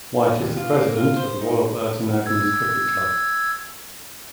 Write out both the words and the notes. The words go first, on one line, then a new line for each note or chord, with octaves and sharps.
White is the President of the Royal Burton Agnes Cricket Club.
D#2
F4
A#3
F4
C5
D#4
E6 G#6